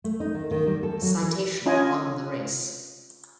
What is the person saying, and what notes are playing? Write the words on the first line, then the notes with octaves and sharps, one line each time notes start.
Citation won the race.
A3
D#4
D#3
D#3
G3
A4
F#3
C#4 F4 D#5 G#5